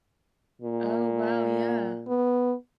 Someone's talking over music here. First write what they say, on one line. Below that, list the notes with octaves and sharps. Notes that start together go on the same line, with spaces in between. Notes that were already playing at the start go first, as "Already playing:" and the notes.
Oh wow, yeah.
A#2
B3